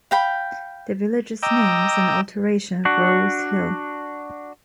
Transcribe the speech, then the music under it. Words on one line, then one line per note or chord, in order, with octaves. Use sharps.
The village's name is an alteration of Roe's Hill.
F5 G5 B5
D#5 G5 A#5 D6 E6
D4 F#4